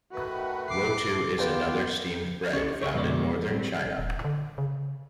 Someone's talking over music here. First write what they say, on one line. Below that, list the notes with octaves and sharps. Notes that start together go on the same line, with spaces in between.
Wotou is another steamed bread found in northern China.
D#3 A3 F#4 B4
D6 C7
B3 F4 G4 B4 D5 G5
C#4 G4 A4
G#4 A#4 C#5 D5 E5
F2 B2 G#3 F#4 B4 D5
G3 C4
D#1
D3
C#3